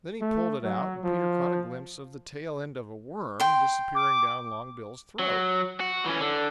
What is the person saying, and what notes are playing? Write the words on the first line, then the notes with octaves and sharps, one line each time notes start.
Then he pulled it out and Peter caught a glimpse of the tail end of a worm disappearing down Longbill's throat.
A3
F#3
F3
G5 C6
D6
F#3
F#4
E3 C#4
D3